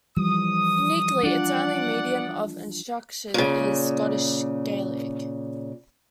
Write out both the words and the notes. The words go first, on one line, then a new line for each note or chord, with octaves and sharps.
Uniquely, its only medium of instruction is Scottish Gaelic.
E3 F3 G3 D#6
D4 F4 D5 F#5
A#2 C#3